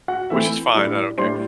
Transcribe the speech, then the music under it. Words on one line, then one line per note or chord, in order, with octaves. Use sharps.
which is fine, I don't care,
F#4 F#5
E3 A3 C4 E4 E5
A2 G3 D4 D5
A2 G3 D4 C5 C6